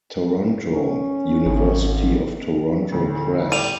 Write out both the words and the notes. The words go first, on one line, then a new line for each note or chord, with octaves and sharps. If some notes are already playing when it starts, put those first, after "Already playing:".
Toronto : University of Toronto Press.
C#4
G#1
D2 A2
G3 D#7 F7